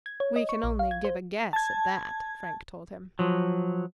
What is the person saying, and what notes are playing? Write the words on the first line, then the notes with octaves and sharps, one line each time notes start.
"We can only give a guess at that," Frank told him.
G#6
C#5
D#5
C#6
A#1
F5
G#6
C5
A5 G#6
F3 F#3